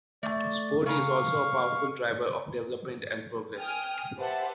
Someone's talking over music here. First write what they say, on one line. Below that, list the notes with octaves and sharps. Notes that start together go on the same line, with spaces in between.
Sport is also a powerful driver of development and progress.
A3 D5
C#3 F5 A#5 C#6
G5 G#5 D#6 F6
G4 B4 C5 E5 F#5 A5